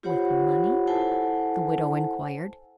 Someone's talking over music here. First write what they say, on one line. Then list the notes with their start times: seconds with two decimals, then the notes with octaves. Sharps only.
"With money?" the widow inquired.
0.03 F4 G4 C5 C#5 F#5 B5
0.87 E4 A4 C5 F#5 G#5 A5